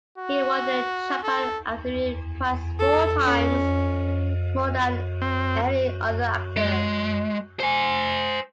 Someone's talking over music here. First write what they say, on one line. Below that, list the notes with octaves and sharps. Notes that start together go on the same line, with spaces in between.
He won the Japan Academy Prize four times, more than any other actor.
F#4
A4
A4
C#4
C4
G#3
C5 G#5